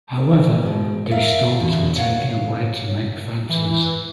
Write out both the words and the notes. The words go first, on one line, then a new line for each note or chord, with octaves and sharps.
However, these stones were taken away to make fences.
G#2 B2
A#4 D5 E5 F5
E2 B2 D3
C#5 F5 F#5
E3